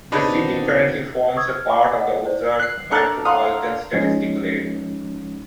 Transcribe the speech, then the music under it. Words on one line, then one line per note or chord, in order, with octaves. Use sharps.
The city currently forms a part of the Ozark micropolitan statistical area.
D#2 B2 C4 D4 D#4 B4
C#6 D#6 E6 G#6
F6
E5 F5 G#5 B5 C#6 D6
D#5 F#5
E4 C5 D5
F#6 C7
D4 A4 A#4 C#6 F#6 A6
F5 F#5 C6 D#6
F3 G#3 C#4 D#4